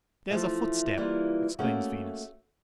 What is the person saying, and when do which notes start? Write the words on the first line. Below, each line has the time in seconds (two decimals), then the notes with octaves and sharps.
'There's a footstep!' exclaims Venus.
0.30 E3 F3 A3
0.97 E3 G3 A#3 E4 F4
1.59 A3 A#3 C#4 F#4 G#4